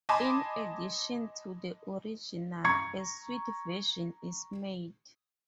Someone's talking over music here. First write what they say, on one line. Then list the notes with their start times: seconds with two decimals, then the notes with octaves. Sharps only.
In addition to the original, a sweet version is made.
0.09 D#5 G#5 A5 B5 C6 D6
2.64 A#5 C#6 G#6 C#7